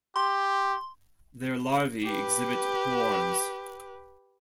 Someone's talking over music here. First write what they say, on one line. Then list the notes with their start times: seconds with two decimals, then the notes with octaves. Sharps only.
Their larvae exhibit horns.
0.16 G4 C6
2.04 G4 B4